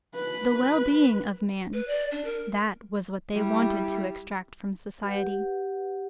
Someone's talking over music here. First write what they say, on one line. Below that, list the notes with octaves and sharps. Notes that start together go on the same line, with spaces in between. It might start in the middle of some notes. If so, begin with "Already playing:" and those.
The well-being of man, that was what they wanted to extract from society.
B4
B4
D5
D4
A#4
G3 E4
G4 B4 F#5